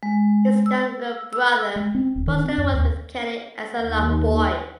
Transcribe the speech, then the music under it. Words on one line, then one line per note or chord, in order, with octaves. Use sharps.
His younger brother, Buster, worked with Kelley as a lot boy.
G#3
E6
E6
G#3
C4
D1
D#3
C4
F2
D#2
D#2